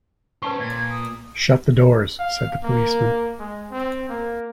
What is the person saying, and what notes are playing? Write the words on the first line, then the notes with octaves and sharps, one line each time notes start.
"Shut the doors," said the policeman.
C#4 B4 C5 A5 C#6
A#2 G#6
D#6
F5
A#3
G#3
C4
A#3